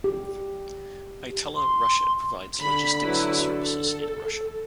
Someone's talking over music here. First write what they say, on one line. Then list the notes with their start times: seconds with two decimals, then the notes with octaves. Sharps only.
Itella Russia provides logistics services in Russia.
0.04 G4
1.56 C6
2.61 D3 B5
3.02 F#3 E4 B4
3.49 A4